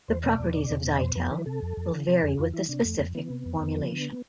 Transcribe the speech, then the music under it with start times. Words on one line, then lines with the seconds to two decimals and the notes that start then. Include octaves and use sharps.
The properties of Zytel will vary with the specific formulation.
0.08 E2 C5
0.23 B2 D5
0.40 E2
0.55 B2
0.70 E2
0.85 B2
0.96 D5
1.01 F2 C5
1.15 F2 B4
1.31 E3 B4
1.46 C3 A4
1.62 F2
1.77 F2
1.92 E3
2.08 C3
2.23 F2 G#4
2.38 F2 F4
2.54 E3 E4
2.69 C3 D4
2.84 F2 A3
2.99 F2
3.15 E3 B3
3.30 C3
3.45 F2
3.61 F2
3.77 F3
3.92 D3